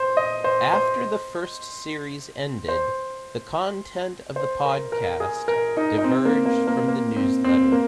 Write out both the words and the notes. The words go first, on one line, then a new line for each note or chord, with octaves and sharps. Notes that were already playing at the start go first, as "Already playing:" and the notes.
After the first series ended, the content of the podcast diverged from the newsletter.
Already playing: C5
D#5
C5
C5
C5
C5
A#4
A#4
G#4
A#4
D#4
D#4
C4
A#3
A#3
A#3
A#3
C4
C4
A#3